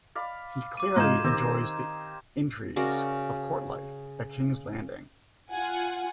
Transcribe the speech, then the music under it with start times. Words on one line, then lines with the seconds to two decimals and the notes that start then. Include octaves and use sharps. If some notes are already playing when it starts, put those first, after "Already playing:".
He clearly enjoys the intrigues of court life at King's Landing.
0.15 D5 F5 B5
0.77 D6 D#7
0.96 G#2 D#4 F4 F5 C6 G6 G#6 E7
1.24 D#3 C4 G4
2.76 C#3 F#4 A#4 D5
5.51 F4 F#5 G#5